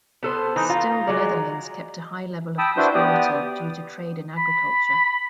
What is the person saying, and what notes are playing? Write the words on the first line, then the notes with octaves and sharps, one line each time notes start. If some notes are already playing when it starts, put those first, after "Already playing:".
Still the Netherlands kept a high level of prosperity, due to trade and agriculture.
B3 A4 C5
E3 D#4
F4 A#5
F#3 G#3 D5
G5 A5 B5 D#6 E6
D4 E4 F#4 B4 C5 G6
B3 G4 D5 D#6
B5